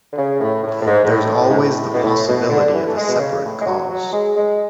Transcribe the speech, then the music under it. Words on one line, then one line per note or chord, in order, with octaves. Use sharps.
There's always the possibility of a separate cause.
D3
C#3
A2
A2
A2
G#2
G#2
A2
G#2
A2
B2
A2
B2
D3
E3
A3
G#3
B2
C#3
A2
G#3
F#3
F#3
G#3
G#3